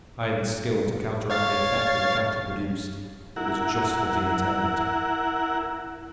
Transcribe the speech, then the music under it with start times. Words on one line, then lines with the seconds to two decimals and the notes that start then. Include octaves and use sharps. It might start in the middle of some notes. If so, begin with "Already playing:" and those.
I hadn't skill to counteract the effect his account had produced: it was just what he intended.
1.30 C#5 F5 A6
3.36 E4 A#4 F#5